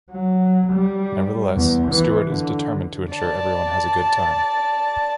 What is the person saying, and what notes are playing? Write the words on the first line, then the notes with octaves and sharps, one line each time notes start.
Nevertheless, Stuart is determined to ensure everyone has a good time.
F#3
G3
E2
E3
D3
D5 A5